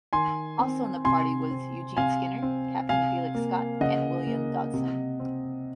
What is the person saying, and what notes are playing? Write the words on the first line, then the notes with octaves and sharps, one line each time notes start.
Also in the party was Eugene Skinner, Captain Felix Scott, and William Dodson.
D#3 G#5 C6
C4
C3 G#5 C6
C4
C3 F5 G#5
C4
C3 F5 G#5
A#3
C#3 D#5 F#5
A#3
C3
C4